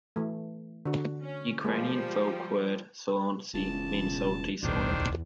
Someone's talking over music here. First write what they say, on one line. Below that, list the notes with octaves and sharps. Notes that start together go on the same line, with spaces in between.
Ukrainian folk word "solontsi" means salty soil.
E3 A3
D3 F#4
C#4
F3 G3 G#3 A#3 G4 G#4
E1 C#2 A5
D1 B1 E2 D#3 D4 C5